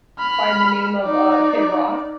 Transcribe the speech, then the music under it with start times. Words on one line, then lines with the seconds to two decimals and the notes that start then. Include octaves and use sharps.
by the name of, uh, Kid Rock
0.19 B5 F6
1.02 D#4 D5